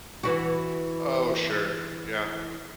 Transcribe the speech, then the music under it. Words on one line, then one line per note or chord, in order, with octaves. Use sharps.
Oh, sure. Yeah.
E3 E4 F#4